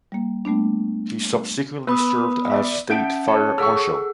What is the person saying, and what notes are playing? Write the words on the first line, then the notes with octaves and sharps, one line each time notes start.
He subsequently served as state fire marshal.
G3 A#3
G3 A3 B3 D4
B3 B4 B5 D#6
D5 E5
C#4 E5 F#5 A5 G6 D7
C#5 A5 C#7
G#4 A4 F#5 C#6 D#6 E6